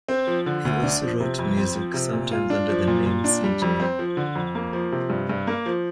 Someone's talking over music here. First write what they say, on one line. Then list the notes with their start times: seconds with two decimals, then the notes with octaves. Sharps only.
He also wrote music, sometimes under the name C. J.
0.08 C4
0.27 F3
0.46 D3
0.65 D2
0.83 D4
1.02 F3
1.20 C3
1.39 F2
1.57 C4
1.75 F3
1.94 C3
2.13 A#2
2.31 F4
2.50 D4
2.69 F3
2.87 A#2
3.06 A#2
3.24 D4
3.44 G3
3.62 F2
3.80 C4
3.99 F3
4.17 D3
4.35 F2
4.55 A#3
4.73 F3
4.92 C3
5.10 G2
5.29 G2
5.47 A#3
5.66 F3